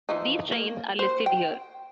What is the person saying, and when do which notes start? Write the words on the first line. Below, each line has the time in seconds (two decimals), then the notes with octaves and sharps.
These trains are listed here.
0.09 E3 F3 D#4
0.52 A#3
0.99 C5
1.26 G5